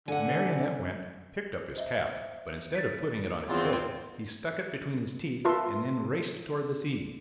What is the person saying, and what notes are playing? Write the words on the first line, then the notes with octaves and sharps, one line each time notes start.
The Marionette went, picked up his cap--but instead of putting it on his head, he stuck it between his teeth and then raced toward the sea.
D3 F#5 G#5
C5 D#5 E5
A6 B6
E2 C4 F4
F4 A#4 B4 E5 A5 C6